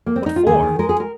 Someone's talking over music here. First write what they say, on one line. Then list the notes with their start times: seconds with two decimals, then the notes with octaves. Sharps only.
What for?
0.06 A#3
0.16 C4
0.26 D#4
0.36 F4
0.47 D#2 G#4
0.63 D#3
0.79 G#3 A#4
0.89 G#4
1.00 A#4